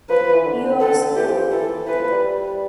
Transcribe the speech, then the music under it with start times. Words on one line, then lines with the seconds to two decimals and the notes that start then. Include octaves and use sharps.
You are slow!
0.10 F3 B4
0.21 F3
0.33 E3
0.45 D3
0.81 A4
1.16 E3 G4
1.28 F3
1.40 F3
1.51 E3 A4
1.87 E3 B4
1.99 F3
2.12 G3